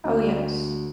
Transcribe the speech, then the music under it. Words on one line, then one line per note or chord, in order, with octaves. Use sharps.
Oh yes.
D2